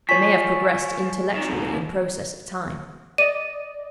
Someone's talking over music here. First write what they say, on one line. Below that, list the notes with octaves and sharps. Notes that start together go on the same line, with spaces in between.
They may have progressed intellectually in process of time.
F3 C#5 G#5 C#6 B6
C3 D#3
D5 D#5 D#7